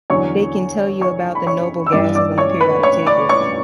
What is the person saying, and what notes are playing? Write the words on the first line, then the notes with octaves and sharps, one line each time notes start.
they can tell you about the noble gasses on the periodic table.
E2 D3 F#3 C#5 C#6
C#5 C#6
B5
C#5 C#6
E6
G1 G2 E3 G3 D5 D6
D5 D6
C#5 C#6
B4 B5
C#5 C#6
D5 D6
C#5 C#6